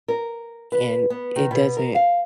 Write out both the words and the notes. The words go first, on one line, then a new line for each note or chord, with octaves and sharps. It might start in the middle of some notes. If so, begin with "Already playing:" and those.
And, it doesn't
A#4
B4
B3
D#3
B2
A#4
F5